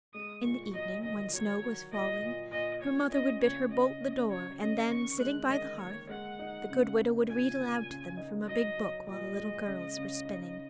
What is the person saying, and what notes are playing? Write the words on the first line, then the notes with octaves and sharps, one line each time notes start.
In the evening, when snow was falling, her mother would bid her bolt the door, and then, sitting by the hearth, the good widow would read aloud to them from a big book while the little girls were spinning.
G#3 D#6
A#2 C#6
F#3 D#5
D#3 D#5
F#3 C#5
F#3
A#2 D#5
A#2
A#2 D#5
A#2 C#5
C#4 D#5
C#3 C#5
C#3 D#5
C#4
F#3 C#5
C#4 D#5
D#3 C#6
G#3 F#6
D#3 D#5
A#3 C#5
G#3 F#5
D#4
C#3
C#3
A#2 G#5
A#2
C#3
D#4
F#3 D#5
F#3
A#2 D#5
G#3
C#3
C#3
D#4